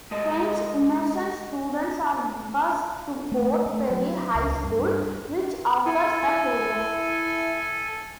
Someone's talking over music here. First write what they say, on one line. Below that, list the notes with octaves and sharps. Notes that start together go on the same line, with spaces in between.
French Immersion students are bused to Port Perry High School, which offers the program.
G#3 A4 D#5
A3
A3
F#3
C#2
G2
E4 A4 G#5